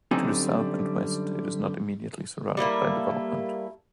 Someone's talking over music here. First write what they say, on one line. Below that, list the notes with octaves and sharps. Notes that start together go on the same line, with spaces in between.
To the south and west it is not immediately surrounded by development.
F#2 D3 G3 C4 D#4 G#5
G3 A3 A#3 E4